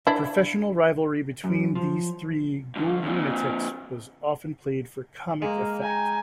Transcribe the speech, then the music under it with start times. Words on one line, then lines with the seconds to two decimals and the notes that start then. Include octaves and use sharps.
The professional rivalry between these three GhoulLunatics was often played for comic effect.
0.07 D4 E4
1.44 F#2
1.75 F3
2.76 G2 D3
3.02 F2 A#2
5.42 G#3 A#3
5.82 G5 G#5 A#5